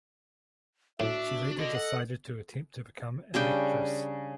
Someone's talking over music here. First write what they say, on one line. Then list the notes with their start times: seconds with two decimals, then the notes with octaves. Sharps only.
She later decided to attempt to become an actress.
1.00 A2 D4 F#4 E5
1.59 D3 D#5
1.75 A4 F#5
3.34 C#3 G3 D4 G5